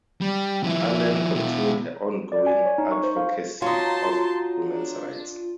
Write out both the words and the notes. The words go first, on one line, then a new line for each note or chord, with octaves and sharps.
Allen continued her ongoing advocacy of women's rights.
G3
F3 E4
B2 E4
D5
G#5
C#5
D#4
C#6
C5
F5
F#3 D#4 F4 A5 C6
D4